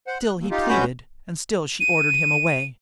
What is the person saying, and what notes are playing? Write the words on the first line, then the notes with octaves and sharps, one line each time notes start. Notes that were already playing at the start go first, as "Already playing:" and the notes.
Still he pleaded, and still she ordered him away.
C5 F#5
F#6
D#2
D#4 F4 G4
D2 G#3 C#4 F#4 B4 G6
D#7